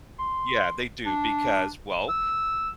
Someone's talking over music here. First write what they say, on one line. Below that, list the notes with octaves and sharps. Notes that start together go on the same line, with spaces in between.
Yeah, they do, because, well,
C6
D4
E6